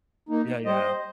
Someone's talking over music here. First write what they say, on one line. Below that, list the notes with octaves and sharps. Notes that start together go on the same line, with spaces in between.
yeah yeah
A#3 D#4
G3 C5 D#5